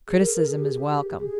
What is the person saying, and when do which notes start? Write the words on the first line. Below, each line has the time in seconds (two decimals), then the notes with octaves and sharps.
Criticism is welcome.
0.08 G#4
0.21 A#4
0.33 A#4
0.46 G#4
0.55 G4
0.64 G#4
0.74 G4
1.20 G#4